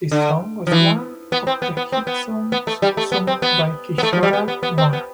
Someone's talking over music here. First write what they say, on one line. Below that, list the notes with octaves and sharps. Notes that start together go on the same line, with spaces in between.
This song was one of the hit songs sung by Kishore Kumar.
D3
F3
E3
B3
C4
B3
B3
C4
B3
B3
A3
G3
A3
B3
C4
B3
B3
A3
F3
G3
B3
B3
B3
C4
B3